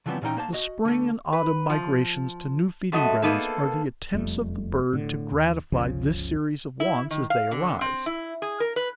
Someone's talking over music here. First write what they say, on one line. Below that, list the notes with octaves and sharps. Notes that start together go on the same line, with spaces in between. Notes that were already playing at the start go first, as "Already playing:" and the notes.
The spring and autumn migrations to new feeding grounds are the attempts of the bird to gratify this series of wants as they arise.
C#3 E3 F3 G3 B3 C4
A#2 E3 C#4 D#4 G5
A#3 C5 A5
F#4 D#5
D3 A3
B4
F3
F#2 A3 F#4 D#5
A#3 B3 D#4 G#4 A4
E1 F2 G3 A3
A2 D3
D#2
G1 C#2 C#3 F3
E4
D#3
F5
D3
C4
E4
G#4
A#4
B4